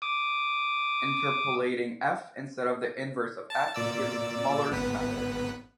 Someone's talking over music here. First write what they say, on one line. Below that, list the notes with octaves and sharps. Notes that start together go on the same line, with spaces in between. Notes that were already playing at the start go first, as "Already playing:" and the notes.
Interpolating "f" instead of the inverse of "f" gives Muller's method.
D6 D#6
A5
A#2 D5 E6
G#1 B3 B4